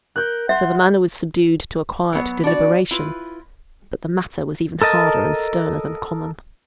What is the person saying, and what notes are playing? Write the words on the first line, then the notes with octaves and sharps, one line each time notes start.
So the manner was subdued to a quiet deliberation, but the matter was even harder and sterner than common.
A#4 F#6 G6
E5 F#5 C6
F#3 B3
D4 F#4 D5
E4 F4 B4
A4 A#4 D#5 A5